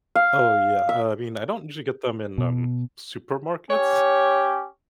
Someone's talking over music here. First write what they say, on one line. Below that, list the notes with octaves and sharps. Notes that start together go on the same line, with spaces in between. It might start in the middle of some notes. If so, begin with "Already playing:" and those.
Oh, yeah, uh, I mean, I don't usually get them in, um, supermarkets.
F5
E5
B2
C#4 G4 C#5